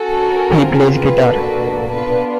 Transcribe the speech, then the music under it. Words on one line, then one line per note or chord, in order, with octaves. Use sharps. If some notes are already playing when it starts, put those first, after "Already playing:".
He plays guitar.
Already playing: C#4 F#4 A4
A#4
C4 F4 G#4
B4
A#3 D4 F#4 A4
B3 D4 F4 B4